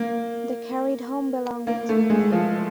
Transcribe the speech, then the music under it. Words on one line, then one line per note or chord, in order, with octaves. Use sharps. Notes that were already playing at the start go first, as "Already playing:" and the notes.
They carried home belongings with them.
Already playing: A#3
A#3
A3
G#3
F3